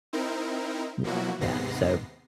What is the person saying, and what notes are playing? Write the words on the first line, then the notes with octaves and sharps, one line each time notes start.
Y yeah. So,
C4 D#4 E4 A#4
B2 F3 F#3 A#3 E4 F#4
D#2 G#2 C3 B3 A#6 C7